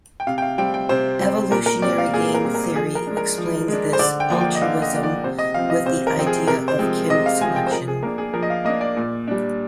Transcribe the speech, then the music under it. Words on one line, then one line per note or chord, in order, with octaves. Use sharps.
Evolutionary game theory explains this altruism with the idea of kin selection.
G5
C3 F5
G5
F5
G3 C4 G5
G5
C3 C5
G3 C4
A#2 A#4
A#4
G3 C4 D5
F5
A#2 G#4
A#4
G3 C4
A#4
F3 G#4
A#4
G#3 D4
A#4
F3
G#3 D4
C5
D3 D5
G5
F3 A#3 D4
G5
D#5
D3 F5
D#5
F3 A#3 D4
D5
C3 C5
D#5
F3 C4 F5
D#5
C3 C5
A#4
F3 C4
G#4
C3 A#4
C5
F3 G#3 C4
C3 D#5
F5
F3 G#3 C4 G#5
G5
C5
F3 A#4
G#4
A#3 D4 A#4
G#4
F3 A#4
D#5
F5
A#3 D4 D#5
D5
A#2
G3 D4